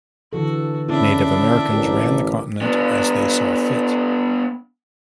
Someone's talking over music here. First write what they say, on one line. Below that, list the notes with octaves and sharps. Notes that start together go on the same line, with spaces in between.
Native Americans ran the continent as they saw fit.
D3 E3 F#4 A4
C#3 C4 D4 E4 E5
A1 G4 A#4
B3 D4